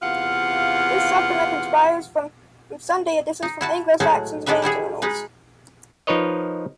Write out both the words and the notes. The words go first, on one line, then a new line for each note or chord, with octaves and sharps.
This supplement inspires from Sunday editions from Anglo-Saxons main journals.
E2 C3 F4 F5 F#5
D#4
E4 F#4 A5
A2 F#3 G#3 A3 F#4
A2 G#3 D4 F#4 B4 E5
G3 E4 F#4 G#4
G#3 D#4 B4
F3 D#4 A#4 B4 C#5 D#5